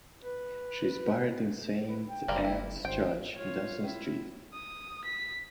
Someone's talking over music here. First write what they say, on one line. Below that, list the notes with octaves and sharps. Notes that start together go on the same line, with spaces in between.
She is buried in Saint Ann's Church, Dawson Street.
B4
B4
G5
F#1 G3 A#3 C4
E4
G#1 C5 G5
F4 C#5
C#4 E4
D#6
B6